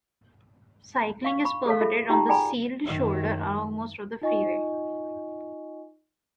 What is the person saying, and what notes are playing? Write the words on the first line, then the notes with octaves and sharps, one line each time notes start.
Cycling is permitted on the sealed shoulder along most of the freeway.
F5 C#6
B5 C#6
G#4 A4 C#5 F5
F4 G#4 A4 E5
D#4 F4 G4 G5 A#5 C6
G#4 D5 G5 G#5 A#5 B5
F#2 D#3
D#4 F4 D#5 G#5 C#6